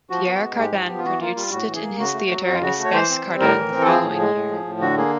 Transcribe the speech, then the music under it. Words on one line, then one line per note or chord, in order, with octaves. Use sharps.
Pierre Cardin produced it in his theater "Espace Cardin" the following year.
F3 F#4
B3
G#3
G#2 G4
F3
B3
F4
E3 F#4
A#3 F4
G3 F4
A2 F#4
E3
G#4
A#3
C#3 F#4
A3
F#3
F2 F#4
F4
C#3 F#4
A3
C#5
E3 C5
C4
G3
A2 A#4
E3
C4
A4
F3 G#4
A2
G#3
A2
F3
A2
D3 F#4
A#3 G#4